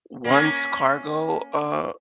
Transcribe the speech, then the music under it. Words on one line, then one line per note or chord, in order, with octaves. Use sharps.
once cargo, uh,
A#3 C#4